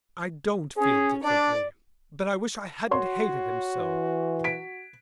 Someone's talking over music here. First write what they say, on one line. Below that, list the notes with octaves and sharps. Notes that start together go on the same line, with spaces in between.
"I don't feel differently, but I wish I hadn't hated him so."
C#4 G#4
D4 D5
F#4 C#5 C6
E3
B6 D7